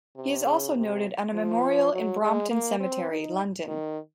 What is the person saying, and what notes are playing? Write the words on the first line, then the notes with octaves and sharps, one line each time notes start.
He is also noted on a memorial in Brompton Cemetery, London.
C3
C#3
C3
F3
F#3
G#3
A#3
C4
D#4
D#3